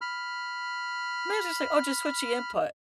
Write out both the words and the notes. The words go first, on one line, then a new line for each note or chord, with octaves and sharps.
mine's just like, "Oh, just switch the input,"
B5 F6